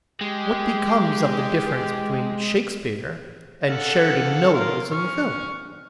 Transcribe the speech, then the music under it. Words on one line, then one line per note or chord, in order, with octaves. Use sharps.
What becomes of the difference between Shakespeare and Sheridan Knowles in the film?
G#3 G4
A4 F5 F#5
A#4 F5 C6
C#6 F6